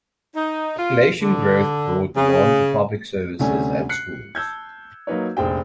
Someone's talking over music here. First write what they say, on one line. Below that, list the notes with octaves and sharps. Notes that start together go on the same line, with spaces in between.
Population growth brought demands for public services and schools.
D#4
F4
D3
C#3
D2 C3 G3 A3 C#4 G#5
F#6 C7 C#7
A5 E6 G6 G#6
F#3 A#3 D#4 B4 C#5
F1 A#1 G#4 C5 G5